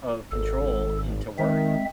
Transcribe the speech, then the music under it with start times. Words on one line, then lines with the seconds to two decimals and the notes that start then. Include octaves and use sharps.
of control into worry?
0.32 G#1 A4
1.39 D#3 G#3 C4 E5